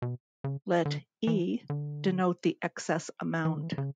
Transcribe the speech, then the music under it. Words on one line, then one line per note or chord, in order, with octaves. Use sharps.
Let "E" denote the excess amount.
B2
C#3
D3
E3
D3
E3
D3
E3
C#3